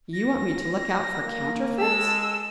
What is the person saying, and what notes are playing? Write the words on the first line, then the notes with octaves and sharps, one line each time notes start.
"You want me to look out for counterfeits?"
A#6
A#3
G#3 A5 E6